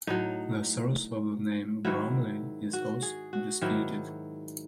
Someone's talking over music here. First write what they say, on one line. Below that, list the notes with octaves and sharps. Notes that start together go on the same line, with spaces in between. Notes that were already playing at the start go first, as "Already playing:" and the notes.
The source of the name Brumley is also disputed.
A2 F#3 D#4
G#2 D#3 F#3 E4
F#4
G#4
F#4
G#2 D#3 F#3 E4